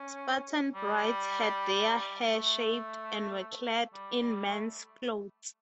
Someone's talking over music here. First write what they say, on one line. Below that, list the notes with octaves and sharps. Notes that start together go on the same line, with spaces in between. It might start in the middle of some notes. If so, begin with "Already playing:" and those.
Spartan brides had their hair shaved and were clad in men's clothes.
Already playing: C#4
G3
A3
G3
G3
A3